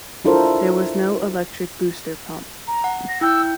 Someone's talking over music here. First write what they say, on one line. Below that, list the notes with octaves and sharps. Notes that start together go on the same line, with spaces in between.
There was no electric booster pump.
D4 E4 F4 A4 A#4 C5
A#5
F#5
A#6
E4 G5 E6 G6